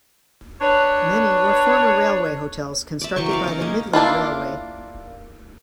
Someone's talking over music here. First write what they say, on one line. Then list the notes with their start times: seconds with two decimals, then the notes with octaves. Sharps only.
Many were former railway hotels constructed by the Midland Railway.
0.61 D4 B4 C#5
3.01 D5 E5
3.16 E3 F#3 G5 C#6
3.29 A#4 D5 F5
3.44 C#4 D#4
3.60 G#3 A#3 C#4
3.93 A#3 D4 E4 F4